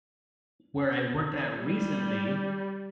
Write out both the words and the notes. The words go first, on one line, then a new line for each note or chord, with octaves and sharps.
where I worked at recently
G3